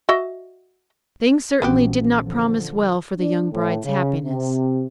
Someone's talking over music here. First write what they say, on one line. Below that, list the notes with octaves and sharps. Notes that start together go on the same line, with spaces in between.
Things certainly did not promise well for the young bride's happiness.
F#4 D#5 E5
A#1 E3 F3 B3 C#4 F#4 G4
D3 F3
D4
A2
C#3
C3